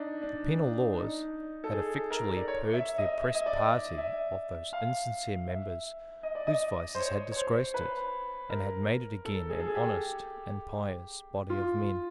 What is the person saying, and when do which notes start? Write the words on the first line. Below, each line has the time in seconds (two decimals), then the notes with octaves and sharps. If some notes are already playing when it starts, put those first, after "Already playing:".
The penal laws had effectually purged the oppressed party of those insincere members whose vices had disgraced it, and had made it again an honest and pious body of men.
Already playing: D4 D#4
0.22 D4
0.60 D4
0.92 D4
0.98 D#4
1.64 A4
1.72 G#4
2.10 A#4
2.37 D5
2.48 C#5
2.73 E5
2.98 D#5
3.22 E5
3.34 D#5
3.46 D5
3.58 D#5
3.98 E5
4.73 F5
5.49 E5
6.23 D#5
6.35 D5
6.47 D#5
6.95 C5
6.99 C#5
7.32 C#5
7.36 C5
7.74 B4
8.50 A#4
9.25 A4
9.50 G#4
9.60 A4
9.67 G#4
9.75 G4
11.50 F4